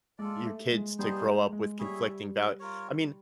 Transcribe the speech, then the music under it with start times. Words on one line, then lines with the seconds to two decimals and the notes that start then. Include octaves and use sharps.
your kids to grow up with conflicting doubt I mean,
0.18 G#3 F4 A4 D5
0.45 A3
0.72 G#3
0.99 G3 B3 D#4 G#4 C5
1.20 A3
1.26 G#3
1.52 G#3
1.79 G3 E4 G#4 C#5 E5
2.60 F4 A#4 C#5